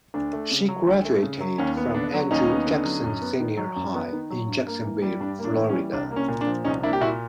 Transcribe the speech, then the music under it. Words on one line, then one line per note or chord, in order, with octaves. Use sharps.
She graduated from Andrew Jackson Senior High in Jacksonville, Florida.
D2 D4
A3
C#3
F#3
D2
A3
C#3
F#3
D#2 C#4
B3
D3 D4
F#3
D#2 C#4 D#4
B3
D3
F#3
F#2
B3
D#3
F#3
F#2
B3
D#3
F#3
G2
A#3
E3
G3
G2 D4
A#3
D4
E3
C#4
G3
C2 D4
A#3
C#4
A#2
D4
F3
C2 C#4 D#4
A#3 D4 E4
G4
A#2 E4 F#4